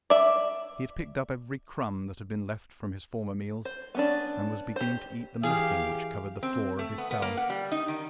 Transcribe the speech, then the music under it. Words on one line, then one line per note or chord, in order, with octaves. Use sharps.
He had picked up every crumb that had been left from his former meals, and was beginning to eat the matting which covered the floor of his cell.
D5 E5
C5
B3 C#4 D4
G4 C5
E3 G4 G#4 F5
C4
A3
B3
B3
A#3
F#5
G3
D#4
D#3